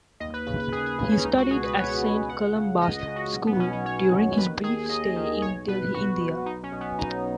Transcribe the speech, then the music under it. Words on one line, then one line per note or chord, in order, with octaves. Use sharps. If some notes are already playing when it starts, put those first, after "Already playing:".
He studied at Saint Columba's School during his brief stay in Delhi, India.
D#2 D#5
B4
C#3 B4
B4
D#2 G#4
G#4
C#3 G#4
C#4
C#2 D#4
F#4
B2 G#4
B4
C#2 C#5
B2
C#2 F#5
C#3
C#2 D#5
D#5
C#3
F#4
B1
B3
B2 C#4
C#4
B1 C#5
B2
D#2 B4
D#3 G#4
D#2 D#5
D#3
B1 C#5
B2 B4
B1 F#4
B2
B1 D#4
C#4
B2
B3
B1 D#4